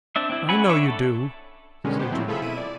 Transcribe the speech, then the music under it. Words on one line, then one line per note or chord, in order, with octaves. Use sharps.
"I know you do!" said Jude.
C4 D4 E5
C4 E4
F#3 C#4 F#5 G#5 B5
D4 C#5 E5
A4
B2 D3 D#3 G3 G#3 C#4
B3 G4 C5
F3 F#3 A3 C4 E4
F4 G#4 A4 E5 B5
B2 E4 E5 D#7
D5